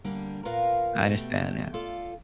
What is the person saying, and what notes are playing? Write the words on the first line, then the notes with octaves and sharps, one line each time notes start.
I understand that.
D3 G3 A#3
A#2 F4 A#4 B4 F5 F#5
B2 A3 G4
F4 A4 D5 F5